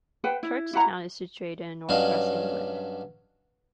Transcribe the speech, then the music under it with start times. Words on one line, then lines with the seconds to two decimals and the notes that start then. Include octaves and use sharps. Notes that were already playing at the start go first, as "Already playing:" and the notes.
Churchtown is situated in North West England.
0.24 B4 C5 F#5 G5
0.43 E4
0.73 E4 F#4 F#5 A#5
1.89 G2 F#3 C#4 D4 D#5 F5